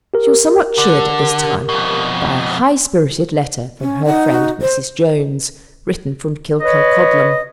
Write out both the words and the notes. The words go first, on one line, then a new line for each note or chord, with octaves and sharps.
She was somewhat cheered at this time by a highspirited letter from her friend Mrs. Jones, written from Killancodlem.
G4 A#4
D3
F2 B2
C#4
D#4 F#5
F#4
C5
B4 C#5 D#5